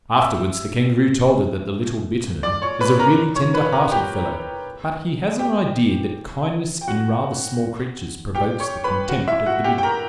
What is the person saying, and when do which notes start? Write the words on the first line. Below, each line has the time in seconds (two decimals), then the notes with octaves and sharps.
Afterwards the Kangaroo told her that the little Bittern is a really tender-hearted fellow, but he has an idea that kindness in rather small creatures provokes the contempt of the big ones.
0.21 E5 E6
2.43 D5 D6
2.62 C#5 C#6
2.81 B4 B5
2.99 A#4 A#5
3.36 C#5 C#6
3.54 B4 B5
3.72 A#4 A#5
3.91 G4 G5
5.39 G4 G5
6.81 G5
6.87 F#4 F#5
8.35 G4 G5
8.60 C#5 C#6
8.84 B4 B5
9.09 F#4 F#5
9.28 E4 E5
9.46 F#4 F#5
9.64 G4 G5
9.78 G5
9.83 A#4 A#5